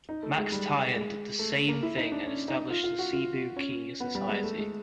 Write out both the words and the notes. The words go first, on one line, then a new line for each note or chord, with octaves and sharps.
Max Tian did the same thing and established the Cebu Ki Society.
D#4
A3
G#3
G3
G#3
A3
A#3
E4
D#4
D4
C#4
D#4
F4
F4
F#4
F4
C#4
B3
G3
G#3
A3
G#3